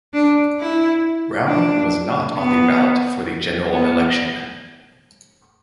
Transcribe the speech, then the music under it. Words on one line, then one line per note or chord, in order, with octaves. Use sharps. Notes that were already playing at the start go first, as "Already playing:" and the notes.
Brown was not on the ballot for the general election.
D4
E4
D4
B3
B3